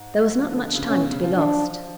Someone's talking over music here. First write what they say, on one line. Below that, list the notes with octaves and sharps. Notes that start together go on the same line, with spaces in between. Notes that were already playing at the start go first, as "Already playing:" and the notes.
There was not much time to be lost.
Already playing: G#2
F3
D3
C#3
B2 C#4
B2
C#3
F3
D4